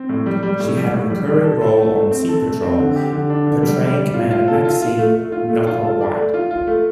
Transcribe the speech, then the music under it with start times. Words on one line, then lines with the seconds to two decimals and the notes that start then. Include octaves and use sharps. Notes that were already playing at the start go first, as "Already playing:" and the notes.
She had a recurring role on "Sea Patrol" portraying Commander Maxine "Knocker" White.
Already playing: C4
0.09 A2
0.26 G3
0.43 G3
0.60 A2
0.77 G3
0.93 A2
1.10 G3
1.27 G3
1.44 A4
1.61 A4
1.78 A3
1.95 A3
2.11 C4
2.29 A4
2.45 A3
2.62 C4
2.80 D3
2.96 G4
3.13 D3
3.30 D4
3.47 D3
3.63 G3
3.81 G3
3.97 G3
4.14 F4
4.31 F4
4.48 A4
4.65 F4
4.82 F4
4.98 A3
5.15 A3
5.32 F4
5.49 A3
5.67 F4
5.83 A4
6.01 D5
6.17 A3
6.34 F4
6.51 F4
6.67 A3